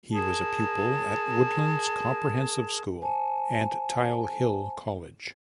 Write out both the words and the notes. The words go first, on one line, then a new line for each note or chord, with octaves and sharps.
He was a pupil at Woodlands Comprehensive School and Tile Hill College.
G#4 A#4 A5
C5 G#5 A5